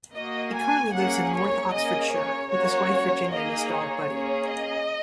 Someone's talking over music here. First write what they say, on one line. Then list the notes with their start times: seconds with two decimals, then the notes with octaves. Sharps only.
He currently lives in north Oxfordshire with his wife Virginia and his dog Buddy.
0.14 A#3 F#4 D#5
0.54 G#5
0.93 A#3 C#4 G#4 F#5
1.32 C#5
1.72 A#3 C#4 G#4 D#5
2.12 C#5
2.51 A#3 C#4 F#4 C#5
3.30 A#3 D#4 G#4 D#5
3.69 C#5
4.08 A#3 C#4 G#4
4.48 D#5